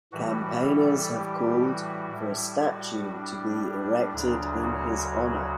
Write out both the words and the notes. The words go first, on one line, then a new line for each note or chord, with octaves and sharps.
Campaigners have called for a statue to be erected in his honour.
A2 E3 G3 F#4
A4
G4
F#4
A2 G3 E4
F#4
D4
D4
D2 C#3 F#3 D4
F#4